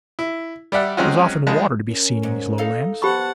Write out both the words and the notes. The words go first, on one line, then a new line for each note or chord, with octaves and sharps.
There was often water to be seen in these Lowlands.
E4
G3 D5 E5 F#5
F#3 G#3 C4 C#4 F4 F#4
A#1 G#3 A5
C#4 A#4
G#2
D#4 A4 F5
B3 G4 C5 F#5 A5 B5 C#6